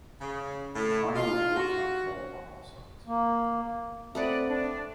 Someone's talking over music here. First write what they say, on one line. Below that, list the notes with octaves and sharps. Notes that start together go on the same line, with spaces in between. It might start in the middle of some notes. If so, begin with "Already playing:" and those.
The final report found fault on all sides.
C#3
A2
F4
F#4
A#3
A3 C4 B4 D5 F#5 D#6
D4